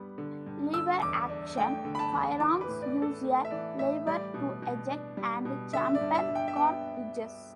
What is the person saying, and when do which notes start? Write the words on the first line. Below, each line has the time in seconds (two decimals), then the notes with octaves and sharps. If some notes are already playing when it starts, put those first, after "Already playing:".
Lever-action firearms use a lever to eject and chamber cartridges.
Already playing: G2 G3 B3
0.18 D3
0.47 G2
0.73 D3 E6
1.02 E2 D6
1.29 D4
1.57 A3 G5
1.85 D3
1.95 B5
1.99 A5
2.12 E2
2.40 E3 D6
2.61 B4
2.68 A2
2.82 D5
2.96 D4
3.02 A4
3.24 A3
3.45 E5
3.51 E3 D5
3.79 A2 E5
4.07 G3 D5
4.34 B2
4.62 B2
4.90 D4
5.17 G3
5.45 B2
5.73 D3 E5
5.95 D5
6.01 G2
6.15 E5
6.29 G2
6.35 G5
6.48 E5
6.56 B3 G5